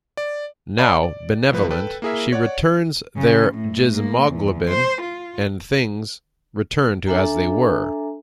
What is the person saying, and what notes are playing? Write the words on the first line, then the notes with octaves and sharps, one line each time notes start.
Now benevolent, she returns their Jizmoglobin, and things return to as they were.
D5
D5 F5 G5 B5
D5
C2 F3 B4
A4 B4 G5
A#3 E4 G#4 A#4 E5
C#5 D5 F#5
C#3
A2
A#3
E2
C5
F4
D4 A4 E5 G#5 A#5